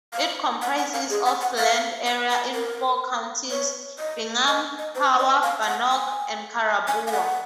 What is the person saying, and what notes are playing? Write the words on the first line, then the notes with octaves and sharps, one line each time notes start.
It comprises of land area in four counties: Bingham, Power, Bannock, and Caribou.
F5
F#5
F#5
F5
G#4
F#5
F#5
F5
F#5
F#5
A#4
C#5
D#5
D#5
D#5
C5
D#5
F5
G#5
F#5
G#5
G#5
F5
F#5